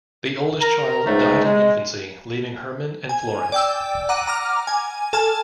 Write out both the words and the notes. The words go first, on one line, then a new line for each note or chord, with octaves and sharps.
The oldest child died in infancy, leaving Herman and Florence.
A#4 A#5
C#2 G#2 G#3 A3 D#4
G#3
G#5
D5 G5 E6
F#5 A#5 D6 D#7
A#5 D6 F6
G#5
A4 G#5 A5 F6